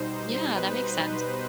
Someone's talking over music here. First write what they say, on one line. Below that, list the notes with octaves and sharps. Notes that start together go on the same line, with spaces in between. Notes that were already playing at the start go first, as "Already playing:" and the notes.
Yeah, that makes sense.
Already playing: B2 G3 D#4 C5
B4